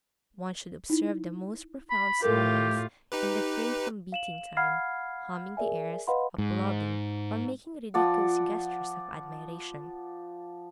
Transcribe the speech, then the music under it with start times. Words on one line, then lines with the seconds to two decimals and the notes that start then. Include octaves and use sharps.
One should observe the most profound silence, and refrain from beating time, humming the airs, applauding, or making ridiculous gestures of admiration.
0.90 D#4 E4
1.90 B5
2.22 A2 F4 G4 A4 A#4
3.12 D#4 G4 B4
4.12 F5 E7 F#7
4.57 F5 F#5 B5 F6 G#6 C7
5.57 G#4 A#4 D5 E5 G#5
6.07 B4 D#5 F5 F#5 B5 C6
6.38 G#2
7.94 F3 D5 F#5